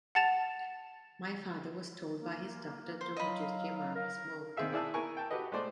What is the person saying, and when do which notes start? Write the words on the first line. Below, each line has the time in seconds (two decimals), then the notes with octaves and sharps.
My father was told by his doctor to reduce the amount he smoked.
0.15 F#5 A5 A6 E7 F7
2.19 A#3
3.01 C5
3.16 F#3 D#5 F5 B5
3.95 A#4
4.56 D#3 C4 G#4 E5 F5
4.72 E4 G#4 D5 E5 A5 E6
4.94 E4 A#4 G#5 C#6
5.17 G5 A5
5.31 F#4 G4 A4 B4 D#5
5.52 G#3 A3 C5 D5 D6